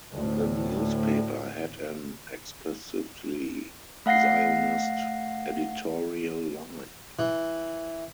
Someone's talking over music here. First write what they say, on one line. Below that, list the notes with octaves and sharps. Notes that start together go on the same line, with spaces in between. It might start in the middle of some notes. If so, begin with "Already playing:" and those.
The newspaper had an explicitly Zionist editorial line.
D2 A2
A3 F5 F#5 A#6 C7
E3